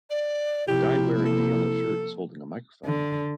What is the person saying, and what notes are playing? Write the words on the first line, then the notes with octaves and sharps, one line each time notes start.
A guy wearing a yellow shirt is holding a microphone.
D5
C3 F3 A#3 E4 G4
A4
D3